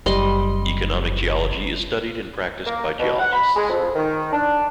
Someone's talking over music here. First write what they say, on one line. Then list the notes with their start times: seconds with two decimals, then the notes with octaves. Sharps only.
Economic geology is studied and practiced by geologists.
0.06 F#1 G3 D#5 C6
2.67 A#3
2.99 B2
3.19 F#5
3.33 B5
3.56 G#3
3.70 F2
3.95 D#3
4.33 D4